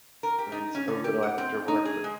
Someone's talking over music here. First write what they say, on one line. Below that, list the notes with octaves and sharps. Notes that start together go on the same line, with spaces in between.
I mean, it's a little extra work, but
A#4
G4
D#4
C#4
D3
G4
F#5
C4
D#4
G#4
G#3